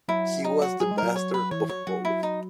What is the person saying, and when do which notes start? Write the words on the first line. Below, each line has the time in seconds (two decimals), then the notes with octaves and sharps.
He was the master of both.
0.08 F#3 E4
0.44 D#4
0.62 F#4
0.80 F#3 G#4
0.91 G#3
0.98 F#3 A#4
1.16 C#5
1.34 B4
1.51 E3 C#5
1.69 F#3 C#5
1.87 F#3 F#4
2.05 E4
2.23 D#4